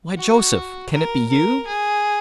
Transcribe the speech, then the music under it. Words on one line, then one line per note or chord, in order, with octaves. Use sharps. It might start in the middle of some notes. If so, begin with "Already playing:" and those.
"Why, Joseph! can it be you?"
F#4
A#4
A#4
G#4